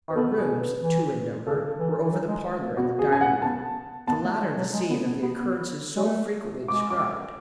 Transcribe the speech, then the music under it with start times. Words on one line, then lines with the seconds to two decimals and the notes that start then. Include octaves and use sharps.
Our rooms, two in number, were over the parlor and the dining-room, the latter the scene of the occurrences so frequently described.
0.10 B4
0.16 B3 A4
0.38 G#4
0.60 B4
0.81 E3
1.47 C#3 A4
1.79 E3
2.01 E3
2.12 F#3
2.28 G#3
2.61 A3
2.77 B3 F#4
2.99 G#4
3.10 C#4 G#5
3.21 F#5
3.42 B3 A5
4.07 B3 A5
4.25 A3
4.41 G#3
4.57 F#3
4.73 G#3
4.90 B3
5.06 B3
5.22 B3
5.39 B3
5.96 G#3
6.03 A3
6.68 G#3 D6
6.90 D6